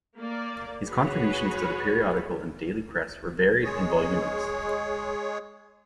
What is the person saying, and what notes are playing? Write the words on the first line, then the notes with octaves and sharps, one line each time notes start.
His contributions to the periodical and daily press were varied and voluminous.
A#3 D5
F#4 G#4 B4 C#5
G#3 G#4 C#5